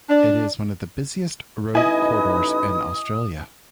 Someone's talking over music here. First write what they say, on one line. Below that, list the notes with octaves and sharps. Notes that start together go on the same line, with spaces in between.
It is one of the busiest road corridors in Australia.
D4
A1 D#4 E4 B4 D#5 G#5 D#6